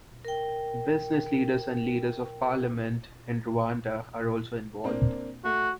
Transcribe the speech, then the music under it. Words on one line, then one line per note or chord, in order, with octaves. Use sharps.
Business leaders and leaders of parliament in Rwanda are also involved.
A#4 G5
A#3 C4 D4
A3 F#4